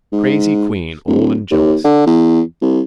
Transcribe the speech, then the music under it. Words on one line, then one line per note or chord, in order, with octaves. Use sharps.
A crazy queen, old and jealous.
G#2
D1
D#2
D3
E2
C2